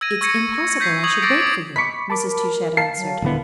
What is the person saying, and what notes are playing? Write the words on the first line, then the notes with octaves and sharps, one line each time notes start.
"It's impossible I should wait for you," Mrs. Touchett answered.
E6 G#6 A#6 D#7
C#6 E6 G#6 A#6 C#7 D#7
G6 G#6 B6 C7
C#6 D#6 G#6 F#7
D6 E6 A6 A#6 C7 D7
D6 D#6
B5 C#6 D6 B6 C#7
A#4 A5 B5 D6
A#4 F5 A5 C7
F#3
D#1 D3 B3 E4